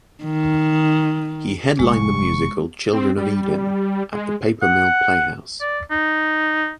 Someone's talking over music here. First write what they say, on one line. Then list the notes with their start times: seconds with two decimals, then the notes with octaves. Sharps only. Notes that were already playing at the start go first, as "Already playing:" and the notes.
He headlined the musical "Children of Eden" at the Paper Mill Playhouse.
0.24 D#3
1.79 F1 G#3 C#6
2.93 C4
3.18 G3
4.13 G#3
4.62 F#5
5.61 D5
5.91 D#4